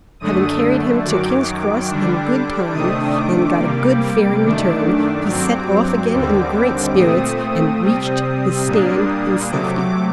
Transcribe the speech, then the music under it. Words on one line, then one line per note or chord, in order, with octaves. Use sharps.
Having carried him to King's Cross in good time, and got a good fare in return, he set off again in great spirits, and reached the stand in safety.
F#2 D3 A3 D4 D#6
F#2 D#3 F#3 D6
D3 G3 D4
C3 D#3 A3 D4 D#6
D6
C3 G3 A#3
F#2 D#3 A3 D4
G2 F#3 C4 D6
D#2 D3 G3 C4
A#2 A3 C4 D#6
C3 G3 C4
A#2 G3 A#3 D4
C3 F#3 A3 D6
D6